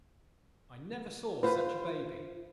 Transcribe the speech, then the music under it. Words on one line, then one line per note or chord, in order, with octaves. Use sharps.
'I never saw such a baby.'
F4 B4 C5